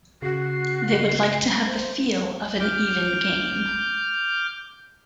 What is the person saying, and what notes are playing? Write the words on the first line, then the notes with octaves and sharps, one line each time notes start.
They would like to have the feel of an "even game".
C#3 F#4 C7
C5
D6 F6 G6